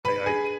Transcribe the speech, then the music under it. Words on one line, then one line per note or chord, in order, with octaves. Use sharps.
I I
B4 B5
G#4 G#5